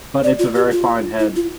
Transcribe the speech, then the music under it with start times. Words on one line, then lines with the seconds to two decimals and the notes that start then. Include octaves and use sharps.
But it's a very fine head.
0.24 D5
0.39 F4
0.55 G4
0.72 F4
1.19 E4
1.36 F4